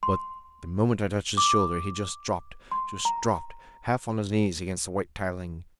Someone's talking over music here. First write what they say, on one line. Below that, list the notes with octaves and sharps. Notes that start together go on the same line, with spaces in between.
But, the moment I touched his shoulder, he just dropped--just dropped, half on his knees against the white tiling.
C6
D6
C6
A#5